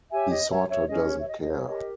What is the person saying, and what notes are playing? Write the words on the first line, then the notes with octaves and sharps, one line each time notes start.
He sorta doesn't care.
G4 C#5 E5 G#5
D#5
C#5 E5
C#5 E5
C#4 G#4 C#5 D#5
C#5
E5
D#5
D#5
C#5
G4 A#4 C#5 D#5